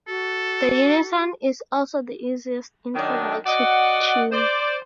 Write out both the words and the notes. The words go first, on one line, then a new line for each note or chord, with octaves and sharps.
The unison is also the easiest interval to tune.
F#4 A4
D#3 F#3 D4
F#4 D5 D#5 F#5
C5 D5